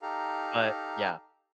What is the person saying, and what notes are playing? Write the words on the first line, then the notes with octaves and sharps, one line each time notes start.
but yeah.
D#4 G4 A4 F5 A#5